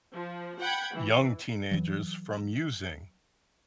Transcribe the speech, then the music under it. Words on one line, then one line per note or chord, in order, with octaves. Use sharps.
young teenagers from using,
F3
F#5 G5 B5 G6 G#6
E3
E3 F#3